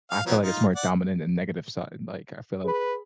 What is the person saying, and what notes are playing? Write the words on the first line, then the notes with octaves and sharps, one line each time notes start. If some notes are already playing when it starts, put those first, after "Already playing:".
I feel, like, it's more dominant than negative side, like, I feel like
F5
F3 F#3 B3
D#4 F4
D5 F#5
G#4 B4 B5